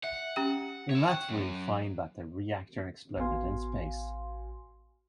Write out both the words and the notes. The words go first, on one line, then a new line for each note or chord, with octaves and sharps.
In that we find that the reactor exploded in space.
E5 F#5
C#4 G4 G5
C#5 E5
F#5 G5 C#6
F#2
A1 B3 F#4 F5 G#5 C6